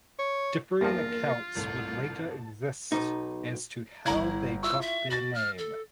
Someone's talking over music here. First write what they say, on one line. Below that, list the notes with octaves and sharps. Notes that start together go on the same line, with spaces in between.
Differing accounts would later exist as to how they got their name.
C#5
E2 G2 F3 A#3 F4 A#4 A#6
G1 C2 A2 A5
B1 G#2 D#4
G1 E4 A#5 G#6
E4 F4 C#6 E6
E5
F#4 A6 A#6 F#7
F6
A4